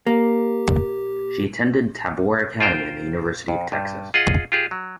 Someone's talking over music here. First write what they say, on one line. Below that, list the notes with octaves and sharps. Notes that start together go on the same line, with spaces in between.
She attended Tabor Academy and the University of Texas.
A#3 G4
F4 A#4 C5 G5
F2
G2 G3
F4 G#4 D#5 F#5
F4 G4 G#4
F#3